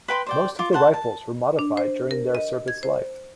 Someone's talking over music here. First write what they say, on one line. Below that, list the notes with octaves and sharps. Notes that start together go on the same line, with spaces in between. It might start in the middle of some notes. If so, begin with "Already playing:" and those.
Most of the rifles were modified during their service life.
B4 G5 B5 C6
C5 D5 G5
F4 D6
C5 F#5 A5
A5
D4
C5
A#4
D#5
G#6
C5